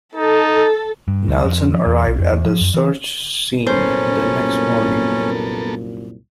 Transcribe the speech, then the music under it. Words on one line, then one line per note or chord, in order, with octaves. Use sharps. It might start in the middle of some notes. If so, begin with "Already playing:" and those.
Nelson arrived at the search scene the next morning.
D#4 A4
G2
D2
F2
F3
E2
B1
F2
E2
F3
F#2
E3
C2 F#2 A#2 A#3 B3 C#4 A4 C5